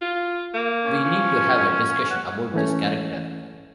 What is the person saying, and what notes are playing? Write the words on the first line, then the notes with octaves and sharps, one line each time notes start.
We need to have a discussion about this character.
F4
A#3
C#4
F3
F#5
E3 A3 C#4